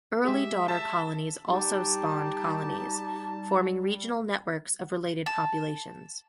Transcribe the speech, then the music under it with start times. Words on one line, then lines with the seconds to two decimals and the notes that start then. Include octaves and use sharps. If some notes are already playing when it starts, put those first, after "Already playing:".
Early daughter colonies also spawned colonies, forming regional networks of related populations.
0.25 G#3 G4 G#4 E5
0.68 E5 A5
1.48 G3 D#4 G4 A5
5.26 A5